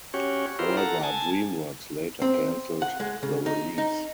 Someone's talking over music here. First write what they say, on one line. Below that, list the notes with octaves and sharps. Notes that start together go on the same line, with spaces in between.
However, Dreamworks later canceled the release.
C#4 F#4 G4 C#5
E4 F4 G4 A#4 C5
A4 F#5 A#5
G#5 A5
C4
F#5
G#3
C#3
D#4
D#4